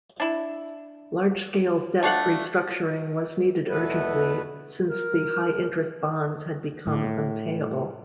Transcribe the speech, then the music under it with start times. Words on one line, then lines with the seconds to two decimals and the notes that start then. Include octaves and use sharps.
Large-scale debt restructuring was needed urgently, since the high-interest bonds had become unpayable.
0.20 D4 E4
2.03 A3 D4 F5 F#5
3.69 E2 B2 A3 B3 B4
4.88 A#4
6.87 A2